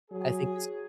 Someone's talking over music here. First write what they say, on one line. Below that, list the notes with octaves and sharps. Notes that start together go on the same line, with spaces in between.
I think it's
F#3 G#4